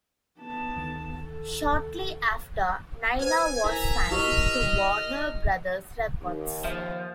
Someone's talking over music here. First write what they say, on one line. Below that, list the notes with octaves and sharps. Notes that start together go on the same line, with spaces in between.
Shortly after, Nina was signed to Warner Brothers Records.
B3 A5
D2 D#3 A6
A4
B4 C5 G#5
E4 A#4 E5 G#5 A#5
E4 G4 A#4 D#5 F6
D#2
F3 E5